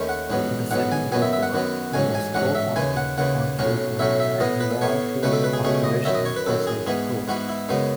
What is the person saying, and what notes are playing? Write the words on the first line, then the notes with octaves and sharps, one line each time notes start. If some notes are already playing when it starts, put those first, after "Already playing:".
In the Second World War he was co-opted onto the Admiralty Operational Research Group.
Already playing: D#2 D#3 A3 C#4
F#5
A1 G#2 F#3 B3
A1 G#2 F#3 B3 F#5
G#5
F#2 D#3 F#3 B3 G#5
E5
E5
F#5
F#2 D#3 F#3 B3
A1 G#2 F#3 C#4 G#5
G#5
A1 G#2 F#3 C#4 F#5
E5
D#2 C#3 E3 G#5
F#5
D#2 C#3 E3 F#5
B1 A2 F#3 C#4
B1 A2 F#3 C#4 E5
E5
A2 E3 B3 D#5
B4
A2 E3 B3 C#5
C#2 B2 A3 C#4 B4
A4
B4
G#4
C#2 B2 A3 C#4 G#4
D#5
F#2 D#3 F#3 E5
D#5
C#5
B4
F#2 D#3 F#3 A4
G#4
G#2 E3 B3 G#4
G#2 E3 B3 F#4
E4
F#2 C#3 G#3 B3 D#4